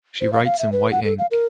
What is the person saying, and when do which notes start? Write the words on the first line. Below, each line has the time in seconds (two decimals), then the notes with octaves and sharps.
She writes in white ink.
0.21 C5
0.33 F5
0.45 F5
0.59 E5
0.72 B4
0.92 F#5
1.05 A4
1.19 F5
1.31 A#4